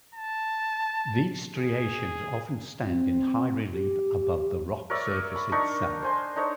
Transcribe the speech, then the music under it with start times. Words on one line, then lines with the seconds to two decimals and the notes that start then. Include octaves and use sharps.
These striations often stand in high relief above the rock surface itself.
0.15 A5
1.56 G#4
2.84 C4
3.72 G4
4.90 A#4 C#5 D5 E5
5.35 B5
5.52 D4 D#4 A#4 C#6
6.02 C5 G#5 C6
6.36 D4 D#4 C5 C#5